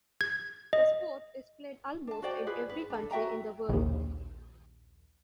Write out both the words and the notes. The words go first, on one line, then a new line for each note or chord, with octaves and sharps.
The sport is played almost in every country in the world.
G#6
D#5
D4 A5
F#4 C5 D5 G5
F4 G#4 B4 D5
B4
D4 A4
F#4 E5 G5 A#5
A#1 D#2